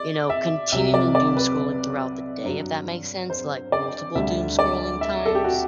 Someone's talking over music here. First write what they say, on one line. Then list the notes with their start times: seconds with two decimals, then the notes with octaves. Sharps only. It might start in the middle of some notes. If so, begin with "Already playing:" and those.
you know, continuing doom scrolling throughout the day, if that makes sense? Like, multiple doom scrolling times
Already playing: D5
0.30 E5
0.72 C2 C3 F#3 E5
0.94 D5
1.15 D5
1.37 B4
2.44 G2 F#3
3.30 C5
3.72 D5
4.15 D2 D3 G3 E5
4.59 D5
5.01 E5
5.26 A4
5.35 G4
5.44 F#4